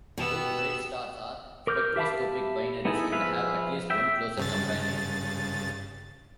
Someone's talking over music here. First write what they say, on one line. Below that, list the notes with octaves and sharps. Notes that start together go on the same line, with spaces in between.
Both bright stars are spectroscopic binaries and have at least one closer companion.
B2 B3 G4 B4 D#5 E6
A#4 D6 F6 G6
G4 E5 F5 A5 B5
B3 D#4 E4 G#4 A4
F3 G#4 B4 E5 F5
E5 G5
G2 C#3 A6